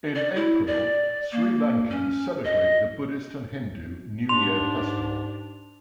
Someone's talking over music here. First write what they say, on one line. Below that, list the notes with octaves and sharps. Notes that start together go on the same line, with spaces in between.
In April, Sri Lankans celebrate the Buddhist and Hindu new year festival.
D5
E4
D5
A#3
C#4
D#5
G#2 D4 G4 C6 F7